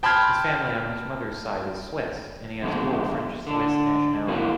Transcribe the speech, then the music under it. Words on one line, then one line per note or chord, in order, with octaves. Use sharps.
His family on his mother's side is Swiss, and he has dual French-Swiss nationality.
G5 A5 B5 C6 F6 G#6
D3 F3 G#3 B3
D3 D4
D3 F#3 A#3 B3 E4 F#4